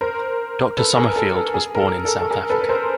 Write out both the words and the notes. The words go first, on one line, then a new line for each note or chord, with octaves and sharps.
Doctor Summerfield was born in South Africa.
A#4 C5
A4 B4
G#4 A#4
A4
A4
G#4
A#4
A4
A4
A4
G#4 A#4
A4 B4
B4
A#4 C5